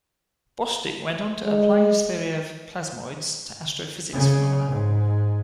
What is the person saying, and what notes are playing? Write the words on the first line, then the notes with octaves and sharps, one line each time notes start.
Bostick went on to apply his theory of plasmoids to astrophysics phenomena.
G#3
C#3
G#2